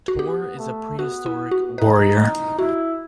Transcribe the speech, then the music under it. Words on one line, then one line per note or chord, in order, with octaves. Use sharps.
Tor is a prehistoric warrior.
F#4
B3 G4
A3
B3 F#4
E4
F#4
D#4 B4
D#4
E4 F#4